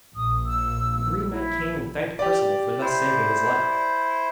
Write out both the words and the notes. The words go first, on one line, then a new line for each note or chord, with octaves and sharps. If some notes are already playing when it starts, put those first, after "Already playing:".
The green knight came and thanked Perceval for thus saving his life.
A#1 D#6
E6
E4
G4 D5
E4 C5